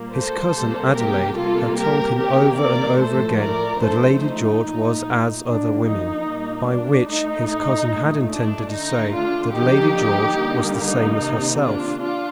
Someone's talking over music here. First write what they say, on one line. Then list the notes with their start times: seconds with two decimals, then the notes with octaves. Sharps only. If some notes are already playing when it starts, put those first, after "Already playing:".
His cousin Adelaide had told him over and over again that Lady George was as other women,--by which his cousin had intended to say that Lady George was the same as herself.
Already playing: A#2 G3 A#3
0.12 A4 C5
0.54 C3 G3 A#3
0.94 G4 A#4
1.35 C3 G3 A#3 F4 A4
1.76 G4 A#4
2.17 C3 D#3 A#3 G4 A#4
2.58 A#4 D5
2.99 A2 F3 A3 A4 C5
3.40 A#4 D5
3.81 D3 F3 A3 A4 C5
4.23 D#4
4.63 A#2 A3
5.45 D3 F3 A#3 D4
5.87 D#4
6.27 A#2 G3 A#3
6.69 D4
7.09 A2 A3 D#4
7.91 A#2 A3
8.33 D4
8.73 D3 A3 D#4
9.14 D4 F4
9.55 D3 F3 A#3 D#4 G4
10.37 D3 G3 A#3
10.79 D#4
11.20 C3 D#3 A#3
11.60 D4 F4
12.01 D4 F4